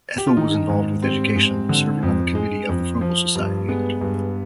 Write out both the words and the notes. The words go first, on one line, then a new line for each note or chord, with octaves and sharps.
Ethel was involved with education serving on the committee of the Froebel Society.
G4
F4
D#3 D#4
G#2
G3 C4
G#2
D3
F2
G#3
F2
F3
G2
G#3 B3
G2